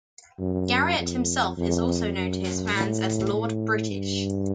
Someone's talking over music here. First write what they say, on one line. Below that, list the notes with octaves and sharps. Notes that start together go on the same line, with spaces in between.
Garriott himself is also known to his fans as Lord British.
F#2
F2
F2
F#2
A2
A2
G2